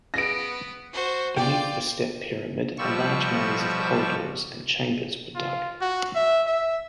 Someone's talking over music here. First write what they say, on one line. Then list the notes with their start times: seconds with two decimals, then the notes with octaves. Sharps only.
Beneath the step pyramid, a large maze of corridors and chambers were dug.
0.14 B3 A#6 D7
0.93 F#4 C5
1.37 F4 D5 G5
2.78 B2 F3 G3 C#6 E6
5.35 F4
5.81 F#4
6.15 E5
6.47 E5